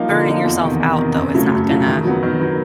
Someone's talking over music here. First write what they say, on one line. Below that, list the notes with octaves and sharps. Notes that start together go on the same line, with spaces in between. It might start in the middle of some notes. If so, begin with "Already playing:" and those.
burning yourself out though is not gonna
Already playing: F3 A#3 D#4
D3
F3 A#3 D#4
E2
C3 D#3
E2
C3 D#3
F#2
C#3 F#3 A3
F#2
C#3 F#3 A3
D#3
F#3 B3
D#3
F#3 B3